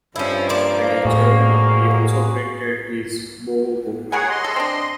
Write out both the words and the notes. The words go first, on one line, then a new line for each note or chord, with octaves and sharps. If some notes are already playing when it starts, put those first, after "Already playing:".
While in Germany he also printed his "Bovo-Bukh".
G2 F3 C#4 E4
F2 A#3 C5 D5
A2 F#4 G#4
G3 G#4 A#4 C#5 F#5 G#5
D#5 C6
A4
C4 D4